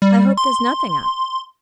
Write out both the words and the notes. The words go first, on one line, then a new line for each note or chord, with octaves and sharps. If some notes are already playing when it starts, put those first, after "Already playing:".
I hope there's nothing up.
G3
C6